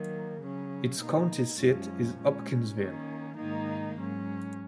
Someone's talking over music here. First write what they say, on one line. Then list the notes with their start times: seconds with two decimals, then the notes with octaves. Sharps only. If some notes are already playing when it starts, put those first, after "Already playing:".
Its county seat is Hopkinsville.
Already playing: D#3 F#3 A#3
0.42 C#3 F#3 C#4
1.00 B2 A#3 D#4
1.60 F#2 F3 G#3 C#4
2.19 A#2 G#3 C#4
2.79 D#3 A#3 C#4
3.37 G#2 D#3 A#3 D#4
3.97 G#2 F#3 C#4